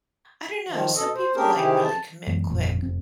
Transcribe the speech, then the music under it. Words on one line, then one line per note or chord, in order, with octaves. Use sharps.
I don't know, some people, like, really commit quick.
D#3 F3
B2 A4 D#5
C5
A#3 C#4 D4 G4 G#4 A#4
C3 D#3 E4 G4 G#4
A5
F#2 E3 G#3 B3
G1 F2 A#2
F1 C4